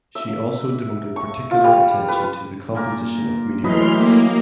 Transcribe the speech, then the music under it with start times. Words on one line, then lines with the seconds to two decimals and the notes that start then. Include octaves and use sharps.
She also devoted particular attention to the composition of meteorites.
0.15 E5
1.16 C#6
1.51 F4
1.64 G3
2.08 B4
2.75 A#2 A#4 D6
3.64 E3 F#3 A3 B4 D#5 C6 F6
3.94 A#3 G4